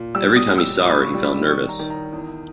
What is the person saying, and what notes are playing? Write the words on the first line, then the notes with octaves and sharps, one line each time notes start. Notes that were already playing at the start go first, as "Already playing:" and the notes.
Every time he saw her, he felt nervous.
Already playing: A#2
G3 E6
D#6
G3
E6
A#2 D#6
B5
C#6
G3
B5
D#3 C#6
A#5
D#3
A#5
E2